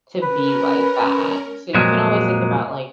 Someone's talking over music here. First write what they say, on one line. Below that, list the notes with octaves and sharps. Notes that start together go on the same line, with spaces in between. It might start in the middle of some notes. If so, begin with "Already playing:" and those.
to be like that. So you can always think about like
C#4 A#4 B4
F2 A#2 F3 F#3 G#3